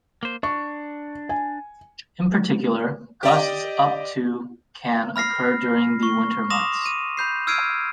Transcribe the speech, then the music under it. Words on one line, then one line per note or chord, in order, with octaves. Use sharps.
In particular, gusts up to can occur during the winter months.
A#3 C5
D4 C#6
G#5
G4 D5 D#5
B5 F6 A#6 C7
C#6
C6 D6 D#6 A#6 E7 F7
D#7
B5 G6 C7
E6 F6 G#6 C7 D7 D#7